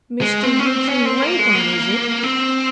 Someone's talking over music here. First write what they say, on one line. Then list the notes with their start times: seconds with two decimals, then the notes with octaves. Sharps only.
'Mr Eugene Wrayburn, is it?
0.21 G#3
0.43 C4
0.59 C#4
0.66 C4
0.88 C#4
1.05 C4
1.22 A#3
1.39 G#3
1.55 A#3
2.23 C4